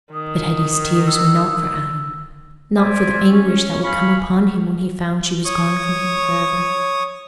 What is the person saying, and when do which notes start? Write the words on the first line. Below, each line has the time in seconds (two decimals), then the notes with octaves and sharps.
But Hetty's tears were not for Adam--not for the anguish that would come upon him when he found she was gone from him for ever.
0.13 D#3 D#6
1.07 E6
2.78 C5 D5 E5 G#5
3.30 C#4
3.83 F5 G#5 B5 C#6
5.45 C#5 C#6 D#6